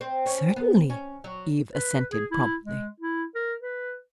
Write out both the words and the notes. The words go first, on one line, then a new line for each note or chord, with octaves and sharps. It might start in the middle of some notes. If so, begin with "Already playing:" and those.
"Certainly!" Eve assented promptly.
C4
C#4
B3
C#4
F#3
B4
G#4
E4
G#3
E4
A#4
B4